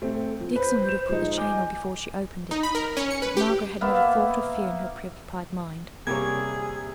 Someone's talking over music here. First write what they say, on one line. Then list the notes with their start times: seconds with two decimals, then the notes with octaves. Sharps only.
Dixon would have put the chain on before she opened it, but Margaret had not a thought of fear in her pre-occupied mind.
0.02 A3 C4
0.40 F3
0.56 B4 C5
0.89 E7
1.09 F3 G#3 D#4
1.38 D#5 G#5 D6 G6
2.51 D#4
2.63 B5
2.75 A#4
2.97 C#4
3.11 C#7
3.22 B4
3.37 G4
3.81 A#3 B3 E5 F5
6.07 C3 G3 A#3 G#4 C#5 G#6